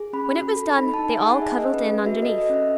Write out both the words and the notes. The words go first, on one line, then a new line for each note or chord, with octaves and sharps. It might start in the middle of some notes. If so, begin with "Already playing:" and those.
When it was done they all cuddled in underneath.
Already playing: G#4
C#4 B5
F#4
A4
D#4 B5
A5
D#4
G#5
G#4
F#5
G#4 E5
D#5
C#4
B4
G#4
B4
F#4 E5
D#5
A4
D#5
C#4 E5